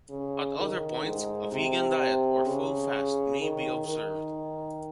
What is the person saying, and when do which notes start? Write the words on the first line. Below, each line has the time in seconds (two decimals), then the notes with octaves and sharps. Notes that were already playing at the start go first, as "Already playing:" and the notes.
At other points, a vegan diet or full fast may be observed.
0.10 C#3
0.57 D#3
1.04 G#2
1.52 C3
2.46 C#3
3.40 D#3
3.88 D#3